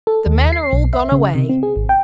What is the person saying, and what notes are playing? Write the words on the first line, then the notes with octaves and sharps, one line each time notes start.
The men are all gone away.
A4
D#2
C7
B1
E5
C#3
C3
C4
G#4
G#1
G5